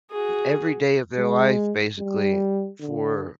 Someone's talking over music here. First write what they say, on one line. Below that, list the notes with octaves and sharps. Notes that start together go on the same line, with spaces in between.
every day of their life, basically, for
F#4 G#4
G#3
G3
D3